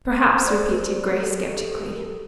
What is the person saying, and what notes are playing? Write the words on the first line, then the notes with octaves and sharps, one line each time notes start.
"Perhaps," repeated Grace sceptically.
A#4
C5
D5
C5
A#4
G4
A4
G4
G4
A4
A#4